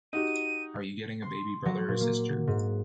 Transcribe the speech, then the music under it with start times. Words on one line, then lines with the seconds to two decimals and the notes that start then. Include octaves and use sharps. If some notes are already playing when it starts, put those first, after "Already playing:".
Are you getting a baby brother or sister?
0.13 D#4 F#4 G4 D#7
1.22 C6
1.65 F#3
1.88 A#2
2.01 A#3
2.47 G#2